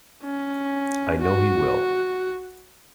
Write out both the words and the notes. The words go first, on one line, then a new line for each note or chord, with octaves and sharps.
I know he will!
C#4
F#4